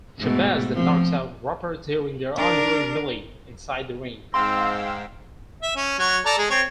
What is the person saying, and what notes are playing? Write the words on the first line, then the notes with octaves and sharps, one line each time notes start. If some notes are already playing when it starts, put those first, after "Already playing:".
Shabazz then knocks out Roper during their ongoing melee inside the ring.
G#2 B2 A3
F3 C4
D4 A#4
G#2 C4 F5 G5 C6 E6
E5
C#4
F#3 C#5
A4 D5 A#5
G#3 G#4
C4 C#5